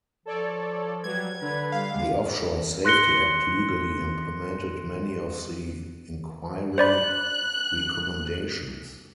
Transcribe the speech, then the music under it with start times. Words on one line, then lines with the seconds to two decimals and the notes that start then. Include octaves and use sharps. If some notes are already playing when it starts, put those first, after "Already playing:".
The Offshore Safety Act legally implemented many of the Inquiry recommendations.
0.26 F3 A4 C#5 D5
1.04 F#3 G3 B4 G#6
1.41 D3 B4 D5
1.72 G3 F5
1.91 G#3
2.85 C6 F#6 A#6 C#7 G7
6.78 C5 D5 B5 F#6